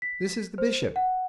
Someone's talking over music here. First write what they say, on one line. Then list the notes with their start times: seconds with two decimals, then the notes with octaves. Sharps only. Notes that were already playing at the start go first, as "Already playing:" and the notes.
This is the Bishop.
0.02 B6
0.58 C5
0.96 F#5